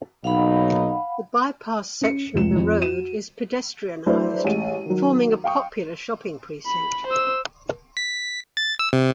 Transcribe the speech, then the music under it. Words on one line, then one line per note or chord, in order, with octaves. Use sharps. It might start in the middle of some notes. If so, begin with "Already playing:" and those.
The bypassed section of the road is pedestrianised, forming a popular shopping precinct.
B1 F#3 A#3 D#4 F5 F#5 B5
C#4 C#7
F1 C#2 E7
F2
F#4 D#7 E7
F#3 A3 D4 E4 B4 C5
A1 G#3 D#7
D#3 F#3
F5 G5 C#6 D#6
B5
C5 E6
B6
A6
E6
C3